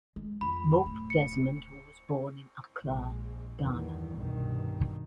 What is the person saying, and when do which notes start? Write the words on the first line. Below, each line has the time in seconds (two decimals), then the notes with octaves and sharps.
Mope Desmond, who was born in Accra, Ghana.
0.16 G#3
0.41 F2 F4 B5
0.86 D1
1.10 C#7
2.85 A#1 G#3
3.62 E2 G2 D#3
4.17 C2 G2 B2 D#3